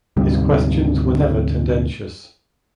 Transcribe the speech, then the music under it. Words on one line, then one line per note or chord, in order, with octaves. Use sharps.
His questions were never tendentious.
D2 G#2 C3 G3